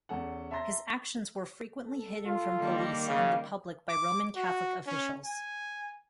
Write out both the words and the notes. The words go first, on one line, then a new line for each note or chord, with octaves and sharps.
His actions were frequently hidden from police and the public by Roman Catholic officials.
E2 C#4 A4 F#5
E5 A5 A#5 C6 A#6
A4
F4
D#3 G3 A#3
C#3 F5
D6
F#4
C#4
G#5